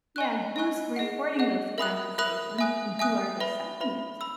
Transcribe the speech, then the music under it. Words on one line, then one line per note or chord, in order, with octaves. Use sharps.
Yeah, and who's recording those conversations, and who are they selling it to?
D#5 G#5 C#6 F#6
D#5 G#5 C#6 F#6
G#4 D#5 F#5
G#4 D#5 F#5
A#4 E5 B5 D#6 F#6
A#4 E5 B5 D#6 F#6
E5 G#5 D#6 F#6
E5 G#5 D#6 F#6
B4 E5 B5
B4 E5 B5
B5 E6